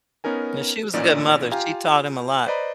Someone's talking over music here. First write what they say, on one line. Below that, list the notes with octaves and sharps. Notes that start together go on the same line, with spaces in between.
Yeah, she was a good mother, she taught him a lot.
B3 C#4 D#4 A#4 G#5
A1 A#2 C#4 D#4 D5
F4 G4 F5 G5 G#5 A#5
B4 C5 D5 D#5 A#5 B5